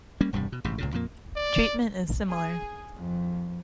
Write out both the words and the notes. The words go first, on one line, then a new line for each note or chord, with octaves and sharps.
Treatment is similar.
G3 A#3 C#4
E1 G2 C3 G3
B2
A1 G#2 C3
C#2 A#2 C#3
F2 A#2 A#3
D5
G#4
F2